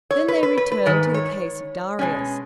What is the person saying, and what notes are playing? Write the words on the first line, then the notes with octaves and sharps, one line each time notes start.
Then they returned to the case of Darius.
C#5
B4
B4
B4
B4
G#2 D#3 B4
C#5
B2 G#3 C#4